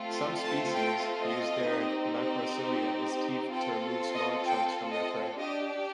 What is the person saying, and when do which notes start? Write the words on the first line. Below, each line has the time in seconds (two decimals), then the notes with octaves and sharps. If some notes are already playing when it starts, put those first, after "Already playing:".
Some species use their macrocilia as teeth to remove smaller chunks from their prey.
Already playing: A3 C4 F4 A4
0.12 C6
0.43 A5
0.74 G5
1.20 D#5
1.66 C4 D#4 G4
3.53 C4 F4 A4 G5
4.14 D#5
4.45 G5
4.92 D#5
5.38 D4 G4 D#5